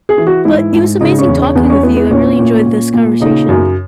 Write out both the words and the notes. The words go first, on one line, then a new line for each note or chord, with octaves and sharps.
But it was amazing talking with you. I really enjoyed this conversation.
G#4
E3
F#4
G#2 E4
G#2
C#3 D#4
C#4
E2
C#4
E2 B3
C#4
E3 B3
B3
A#2 C#4
A#2
A#2
A#2
C#3 D#4
F#2